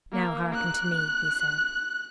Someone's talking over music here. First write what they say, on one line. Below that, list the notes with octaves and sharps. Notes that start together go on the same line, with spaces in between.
"Now, hearken to me," he said.
A#3
F#6